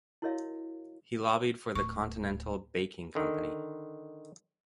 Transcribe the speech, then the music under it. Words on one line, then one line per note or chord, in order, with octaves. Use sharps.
He lobbied for the Continental Baking Company.
E4 F#4 A#4 C#5 D#5 F5
D1 C#6
D3 D#3